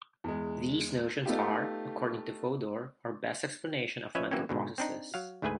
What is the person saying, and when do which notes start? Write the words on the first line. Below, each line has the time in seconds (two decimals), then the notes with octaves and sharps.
These notions are, according to Fodor, our best explanation of mental processes.
0.24 E2 G#3
1.26 A3 B3 D#4 F4 G4
4.15 F3 C#4 B4 C#5 D#5 E5
4.31 E3 F#3 A#3 C4 C#4
4.49 G#2 B2 D3
4.78 C4 D4 D#4
5.14 F#3 F5
5.42 D2 G#2 A3 G#4 B4 G#5